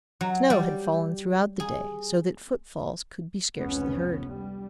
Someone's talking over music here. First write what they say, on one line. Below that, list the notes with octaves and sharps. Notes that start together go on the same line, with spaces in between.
Snow had fallen throughout the day, so that footfalls could be scarcely heard.
F#3
G3
G#4
F1 C#2 B3 C#4
G3